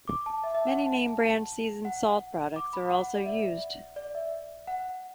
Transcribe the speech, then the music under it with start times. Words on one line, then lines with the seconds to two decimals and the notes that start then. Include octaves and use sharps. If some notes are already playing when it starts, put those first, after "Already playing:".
Many name brand seasoned salt products are also used.
0.08 D6
0.26 A5
0.44 E5
0.55 E5
0.67 F#5
0.79 A5
1.85 F#5
2.56 D6
2.73 B5
2.91 F#5
3.15 D5
3.26 E5
3.96 D5
4.15 E5
4.67 F#5